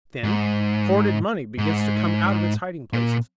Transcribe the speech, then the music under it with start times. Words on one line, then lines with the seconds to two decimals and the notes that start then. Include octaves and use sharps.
Then hoarded money begins to come out of its hiding-places.
0.24 G#2
1.58 G#2
2.93 A#2